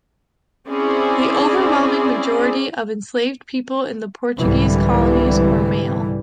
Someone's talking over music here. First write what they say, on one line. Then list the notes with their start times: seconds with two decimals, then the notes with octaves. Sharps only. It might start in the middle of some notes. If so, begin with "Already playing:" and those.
The overwhelming majority of enslaved people in the Portuguese colonies were male.
0.67 C4 C#4 E4 G#4 D5
4.39 C2 G#2 D3 E3 G3